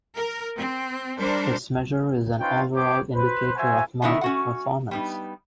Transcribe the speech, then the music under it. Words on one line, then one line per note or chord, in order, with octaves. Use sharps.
Its measure is an overall indicator of market performance.
A#4
C4
G3 D4 A#4 C5
C#4 D#4 F4 B4 C5 G5
B3 G4 C5 C#5 G5 D6
B4 C5
F#4 C5 E5 G#5
C3 D#3 A3 B3 D#4 E4
C#4 F#4 F#5
G3 B3 D#4